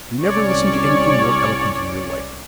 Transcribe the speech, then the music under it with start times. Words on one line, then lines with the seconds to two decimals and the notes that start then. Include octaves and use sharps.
You never listened to anything more eloquent in your life.
0.23 C2 C#4 C#5 D5